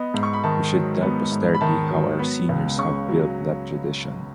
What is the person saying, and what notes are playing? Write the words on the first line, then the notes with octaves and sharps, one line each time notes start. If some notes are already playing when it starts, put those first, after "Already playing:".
We should tell posterity how our seniors have built that tradition.
Already playing: B3 D#5
G#2
C#6
B5
D#3 A5
F#3
B3
G#2
B5
D#3 A5
F#3
B3 B5
C#2
C#3 C#6
F#3